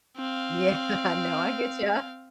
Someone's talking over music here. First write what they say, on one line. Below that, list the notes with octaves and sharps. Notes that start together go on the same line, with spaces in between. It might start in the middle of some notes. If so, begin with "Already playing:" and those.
Yeah, no, I get ya,
C4 F5